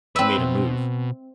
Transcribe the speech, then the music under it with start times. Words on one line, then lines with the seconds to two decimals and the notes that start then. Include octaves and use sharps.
He made a move.
0.16 C4 B4 E5
0.38 B2